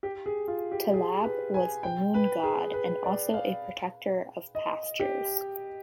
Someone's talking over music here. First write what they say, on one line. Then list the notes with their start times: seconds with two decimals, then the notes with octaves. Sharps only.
Ta'lab was the moon god and also a protector of pastures.
0.03 G4
0.26 G#4
0.48 F4
0.72 G4
0.94 G#4
1.24 B4
1.54 G#5
1.83 G5
2.14 B4
2.44 G#4
2.74 B4
3.04 D5
3.34 F5
4.55 D#5
5.00 G4